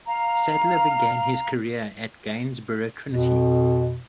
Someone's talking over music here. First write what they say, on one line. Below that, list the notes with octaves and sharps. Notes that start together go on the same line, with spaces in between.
Sadler began his career at Gainsborough Trinity.
F5 A#5
F2 B2